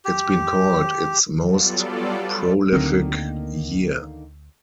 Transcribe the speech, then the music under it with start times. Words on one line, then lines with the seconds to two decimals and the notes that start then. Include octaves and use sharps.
It's been called its most prolific year.
0.05 G4
1.44 F#3 G3 B3 F4 A4 D5
2.72 D2 D3 D#3 A#3 C4